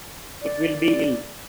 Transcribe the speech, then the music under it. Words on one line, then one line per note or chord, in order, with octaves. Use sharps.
It will be ill.
D5